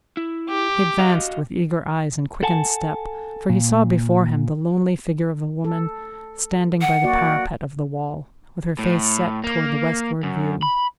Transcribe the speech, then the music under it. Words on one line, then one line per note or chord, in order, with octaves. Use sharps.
He advanced with eager eyes and quickened step; for he saw before him the lonely figure of a woman, standing by the parapet of the wall, with her face set toward the westward view.
E4
G4
F#4 D#5 F5
A4 F#5 G#5 A5
A#2
A4
F#5
A#3 F#4 D5
A2
A#3
F#2
B5